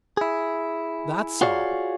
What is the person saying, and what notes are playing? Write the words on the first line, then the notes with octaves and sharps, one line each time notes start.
That's all.
E4 G#4
F4 F#4 G#4 C#5 D5 F5